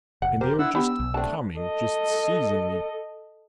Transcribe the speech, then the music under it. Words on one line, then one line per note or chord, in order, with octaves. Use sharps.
And they are just coming, just seizing me.
F1 F#5
G4 A#4 C5
D4 E4 F#5 E6
B3 G4 E6
B1
A3 C4 D4 A5
A4 D#5